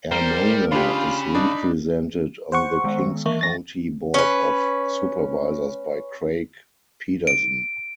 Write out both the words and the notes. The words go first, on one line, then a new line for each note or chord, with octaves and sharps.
Armona is represented on the Kings County Board of Supervisors by Craig Pedersen.
G3 A#4 C5
C#3 D4 F4 G4 B5
D4 D#4
C5 F#5 C#6
D#3 G#3 B3
E3 A#3 E5 C#6
A6 A#6
C#4 B4
D7